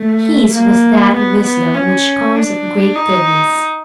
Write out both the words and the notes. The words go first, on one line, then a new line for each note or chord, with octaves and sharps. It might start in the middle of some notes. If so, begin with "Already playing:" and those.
His was that wisdom which comes of great goodness.
Already playing: A3
A#3
B3
B3
C#4
D4
D#4